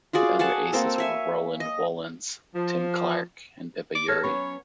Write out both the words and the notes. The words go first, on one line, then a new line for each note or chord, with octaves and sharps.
The other "Aces" were Roland Wollens, Tim Clark and Pippa Urry.
F4 F#4 G#4 D5
G#4 F#5 G#5 A5
A#3 C4 A4
C#5 E5 G#5
D#5
F3
D6
G4 A4 B4 C#5 F6 G#6 A#6
F#3 B3 C#4 C#5 B5 C#6